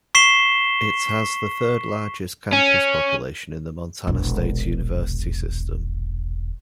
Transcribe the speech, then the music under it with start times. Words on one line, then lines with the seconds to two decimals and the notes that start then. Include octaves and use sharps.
It has the third largest campus population in the Montana State University System.
0.15 C#6 B6 C7 E7 G7
2.53 C#4
4.07 E1 A#1